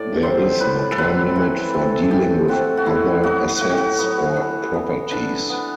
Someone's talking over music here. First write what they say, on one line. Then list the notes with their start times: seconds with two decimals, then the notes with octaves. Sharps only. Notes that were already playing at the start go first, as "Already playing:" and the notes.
There is no time limit for dealing with other assets or properties.
Already playing: A2 D5
0.23 F#3 C4 C5
0.60 A2 B4
0.91 A4
0.98 F#3 C4 B4
1.36 E3
1.73 A3 C4
2.11 E3 G4
2.48 A3 C4 F#4
2.77 F#4
2.86 A2 E4
3.23 F#3 B3 F#4
3.61 A2 F#4
3.70 G4
3.77 F#4
3.99 F#3 B3
4.36 E3
4.74 B3
5.11 E3 D4
5.49 B3